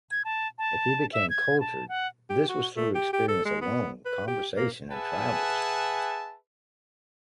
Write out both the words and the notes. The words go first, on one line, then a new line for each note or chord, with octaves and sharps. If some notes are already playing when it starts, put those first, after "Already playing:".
If he became cultured, this was through experience alone, conversation and travels.
G#6
A5
A5
E5
G#6
A5
F#5
G4
F#4
A3
G4
G4
A4
G#3
B3
B4
G4
A#3
G#4 B4 E5 F#5 G#5 A5